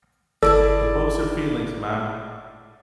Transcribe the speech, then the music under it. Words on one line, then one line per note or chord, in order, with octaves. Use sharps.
Compose your feelings, ma’am.
G1 E4 G#4 A4 D5 A5